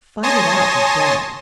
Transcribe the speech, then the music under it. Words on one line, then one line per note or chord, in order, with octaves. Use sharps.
Fight it out with doubt.
C#5 G#5 A5 C6 D#6 A#6